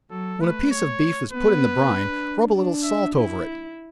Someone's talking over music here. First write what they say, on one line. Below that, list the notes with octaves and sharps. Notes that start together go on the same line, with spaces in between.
When a piece of beef is put in the brine, rub a little salt over it.
F#3 A4
A3 B4
C#5
B3 B4
D4
D4
E5
E4